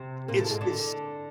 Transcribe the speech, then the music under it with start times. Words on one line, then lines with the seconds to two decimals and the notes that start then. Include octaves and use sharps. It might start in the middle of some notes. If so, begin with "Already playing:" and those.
It's it's
Already playing: C3 C4
0.28 A#2 A#3
0.39 A2 A3
0.50 G#2 G#3
0.61 D3 D4